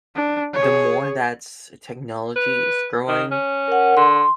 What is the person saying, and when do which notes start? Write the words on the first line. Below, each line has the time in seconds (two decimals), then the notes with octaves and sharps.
the more thats technology is growing,
0.15 D4
0.53 G#4 C#5
2.36 B4
3.08 D#3
3.31 C#4
3.68 A#4 F#5
3.97 D3 C6